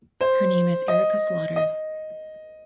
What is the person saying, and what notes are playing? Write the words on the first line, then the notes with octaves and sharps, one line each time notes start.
Her name is Erica Slaughter.
C5
D#5
D#5